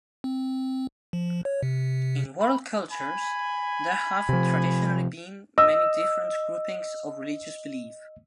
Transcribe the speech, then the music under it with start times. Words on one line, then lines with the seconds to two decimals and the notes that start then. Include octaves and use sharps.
In world cultures, there have traditionally been many different groupings of religious belief.
0.24 C4
1.13 F3
1.45 C#5
1.63 C3
2.41 B5
2.91 G#5 B5
4.29 C3 F3
5.58 D#5 E6